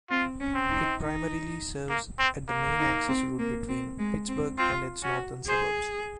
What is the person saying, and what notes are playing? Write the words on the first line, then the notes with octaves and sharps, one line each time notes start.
It primarily serves at the main access route between Pittsburgh and its northern suburbs.
C4 F4
C#4
C4
D#4
D#4
A#3
C4
A#3
D#4
C4
A#3
C4
G#3
C4
C4 F4
C#4 F#4
G#4 C5